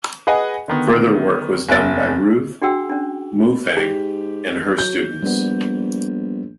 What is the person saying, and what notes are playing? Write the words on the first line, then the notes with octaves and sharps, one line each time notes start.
Further work was done by Ruth Moufang and her students.
G#4 B4 D#5 F#5 G#5
D3 D#3 B3
F#1 E2 E5 A6
D4 F#4 G#4 F#5 G5 E6
C#4 D4
G#2 G4
F#3 G6
A#1 G3 B3